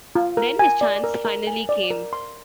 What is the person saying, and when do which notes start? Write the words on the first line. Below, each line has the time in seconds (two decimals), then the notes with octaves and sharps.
Then his chance finally came.
0.15 F4
0.37 A#4
0.59 G#5
0.81 D5
1.04 A#4
1.25 A#4
1.47 G#5
1.69 D5
1.90 A#4
2.13 C6